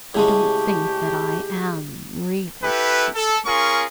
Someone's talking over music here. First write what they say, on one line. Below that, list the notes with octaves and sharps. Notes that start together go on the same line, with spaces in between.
"I don't think that I am, really," he said.
A2 C#3 G#3 G4 G#4 A5 C#6
E4 G4 A4 B4
A4
C#4 F4 G#4 A#4 C#6